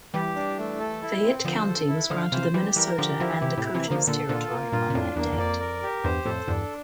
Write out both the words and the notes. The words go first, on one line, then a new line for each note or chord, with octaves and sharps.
Fayette County was granted the Minnesota and Dakotas territory on that date.
E3 G3 G4
D4
A3
A4
E4
C4
D3 F3 C5
A4
E4
D3 F3 F5
C3 E3 C5
E3 G3 G4
E3 G3 A#4
D3 F3 G4
D3 F3 E4
C3 E3 G4
A2 C3
E4
C3 E3
A#3
D3 F3
A#2 D3 A4
A#2 D3 F4
A#3
G2 A#2 F4
A#2
F2 A2 D4
E2 G2 A#3
E2
F2 D5
A#4
G4
E2 G2 C5
F2 A2 A4
E2 G2 D4